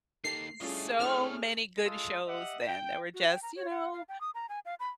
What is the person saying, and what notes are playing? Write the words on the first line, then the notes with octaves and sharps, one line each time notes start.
So many good shows then that were just, you know
D#3 A#3 G4 A4 A#4 C7
G3 A3 C#4 E4 F4 G#4 D#5
C4 D4 E4 C#5 F6
G#3 F4 A4 D#6
G4 D#5 E5 F#5
G5
F#4
G5
A#5
C#5
F#5
F5
G5
D#6
A#5
G#5
F5
B5